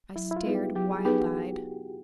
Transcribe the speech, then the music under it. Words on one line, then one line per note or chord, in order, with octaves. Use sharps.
I stared, wild-eyed.
F#3 E4
E4
F4
B3 D#4 G#4 B4
G4
F#3 G4
G#4
B3 D#4 G4 G#4 B4
F#4